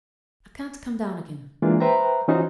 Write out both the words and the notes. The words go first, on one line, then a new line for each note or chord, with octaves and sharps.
'I can't come down again.
E3 G#3 A#3 D4 F4
B4 C5 E5 G5 A#5
E3 C#4 D#4 F4 F#4 C5